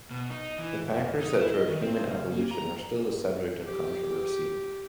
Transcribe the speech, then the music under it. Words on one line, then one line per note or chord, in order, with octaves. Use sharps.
The factors that drove human evolution are still the subject of controversy.
B2
D#4
E3
F2
D#4
E4
D#5
D#3
C4
C#3
A#3
A#5
G4